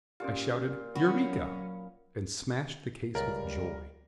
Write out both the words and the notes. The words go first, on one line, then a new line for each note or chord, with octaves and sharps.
I shouted "Eureka!" and smashed the case with joy.
A#2 C#4 F4 G4
F#3 C#4 F#4 B5
C#2 G3 A#4 D5